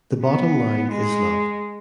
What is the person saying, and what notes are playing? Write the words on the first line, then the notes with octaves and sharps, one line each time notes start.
The bottom line is love.
B3
G#3